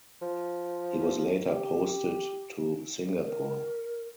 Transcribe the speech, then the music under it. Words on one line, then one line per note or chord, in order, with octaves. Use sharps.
He was later posted to Singapore.
F3
G4
A#4